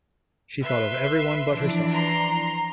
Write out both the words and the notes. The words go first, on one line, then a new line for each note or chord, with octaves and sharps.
She thought of everyone but herself.
B4 E5 C6
E3 F3 D4
A#5 C6